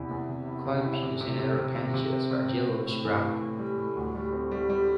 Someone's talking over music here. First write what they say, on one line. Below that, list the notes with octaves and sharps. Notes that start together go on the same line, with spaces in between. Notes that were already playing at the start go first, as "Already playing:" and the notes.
Clypeus and other appendages are yellowish brown.
Already playing: E2 C3 E4
E2
C3
E4
C3
E4
C3
C3
C3
C3
C3
C3
C4
C3
C4
A2
A2
E3
A2
A2
G3
A2
D2
G3
C4
G3
G3